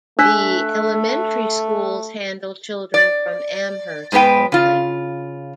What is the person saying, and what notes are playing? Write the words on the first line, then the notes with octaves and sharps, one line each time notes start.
The elementary schools handle children from Amherst only.
A3 D4 E6 F#6 B6
D5
G#2 G#3 B3 B4 G5
C#3 F4